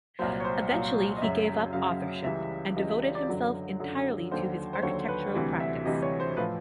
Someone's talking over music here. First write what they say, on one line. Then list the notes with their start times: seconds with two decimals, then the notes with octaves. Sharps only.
Eventually he gave up authorship, and devoted himself entirely to his architectural practice.
0.19 C2 A#2 F#3 C5
0.40 C#5
0.45 C5
0.70 C2 A#2 F#3 F5
1.17 D#5
1.22 F#2 C#3 F#3 E5
1.73 F#2 C#3 F#3 F5
2.24 C#2 C#3 E3 G3 E5
2.77 C#2 C#3 E3 G3 D#5
2.89 E5
3.02 D5
3.15 D5
3.28 F#2 D3 F#3
3.80 F#2 D3 F#3
4.31 D#2 D3 F#3 C5
4.73 C5
4.82 D#2 D3 F#3 C#5
5.08 B4
5.34 D2 C3 E3 G3
5.60 E5
5.85 D2 C3 E3 G3 D#5
6.02 C#5
6.20 C5
6.37 A2 F3 B4